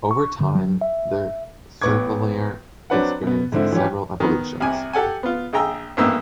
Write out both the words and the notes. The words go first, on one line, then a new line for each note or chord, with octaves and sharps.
Over time, the Cervelliere experienced several evolutions.
C#6
D3
F#3
E5
A1 B3 B4 C#6 D6 G#6
F#3 C4 D4 B4 C#5 F#5
B2 B3
G#2 D3 C4 E4
E3 F#3 C#4 G4
D#3 B3
C2 C3 G#5
G4 A4 F#5 G#5
B3 F4
A#1 G#4 G5 A#5 E6
A1 F2 G#2 A#3 B3 E6